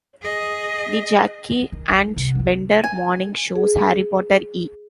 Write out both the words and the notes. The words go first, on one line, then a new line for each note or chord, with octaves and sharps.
The Jackie and Bender morning show's Harry Potter E!
G#4 D#5
D#3
G3
C3
E3 C4
G#5
G#4